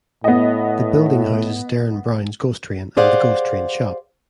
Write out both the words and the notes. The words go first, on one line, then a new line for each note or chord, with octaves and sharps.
The building houses "Derren Brown's Ghost Train" and The Ghost Train Shop.
A2 B3 D#5
G4 G#4 C5 D5 F5 F#5